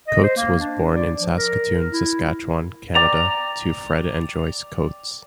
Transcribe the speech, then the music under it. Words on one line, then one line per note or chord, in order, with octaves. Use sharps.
Coates was born in Saskatoon, Saskatchewan, Canada to Fred and Joyce Coates.
D#5
C5
A#3
D4
D5
F3
A#4
E4
D5 G5 A#5